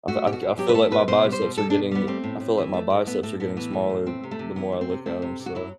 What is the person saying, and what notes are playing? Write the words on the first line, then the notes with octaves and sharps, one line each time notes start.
Also, I c I feel like my biceps are getting I feel like my biceps are getting smaller the more I look at 'em, so
A3 F#4
B2 G4
F#4
B2
F#3 G4
B4
A3 A4
B2 B4
B2 C5
G3
C5
B2
G3 A4
D4
B2
G3 B3
A3 C4
A2
A2
E3
A3
A2
A3 B3
A2 A3
A2 B3
E3 B3
A3
A2
A3 C4
C3
A3
C3
E3 B3
A3
C4
C3
A3 C4
C3
C3
F#4
F#3 E4